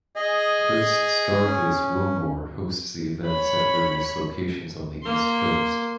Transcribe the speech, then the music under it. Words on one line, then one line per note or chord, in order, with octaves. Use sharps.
Chris "Scarface" Wilmore hosts the events at various locations on the east coast.
G#4 D#5
C#4
C#5 B5
A#3 C6